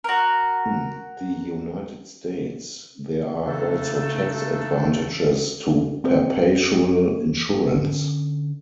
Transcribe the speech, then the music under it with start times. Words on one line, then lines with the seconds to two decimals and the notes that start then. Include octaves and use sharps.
In the United States, there are also tax advantages to perpetual insurance.
0.04 F#4 A#4
3.45 C#3 A3 D4 D#4 A4
6.04 C4
7.75 D3 C#4